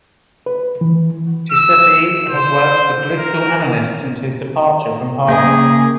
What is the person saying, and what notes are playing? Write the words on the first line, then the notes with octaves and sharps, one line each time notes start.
Duceppe has worked as a political analyst since his departure from parliament.
B4
E3
E6
C5
A#4
C#3 A#3 G#4 G5